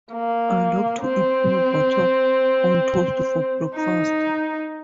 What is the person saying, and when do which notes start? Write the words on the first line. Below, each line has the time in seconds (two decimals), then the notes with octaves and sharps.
I like to eat peanut butter on toast for breakfast.
0.12 A#3
1.02 C4
3.75 D#4